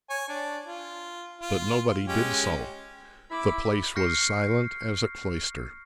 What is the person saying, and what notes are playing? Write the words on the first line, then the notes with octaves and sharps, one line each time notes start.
But nobody did so: the place was silent as a cloister.
C#5 G#5
D4
F4
F4
G#3 C#4 G4
E4 B5 D6
C#6 F6 G6 A#6 C7 C#7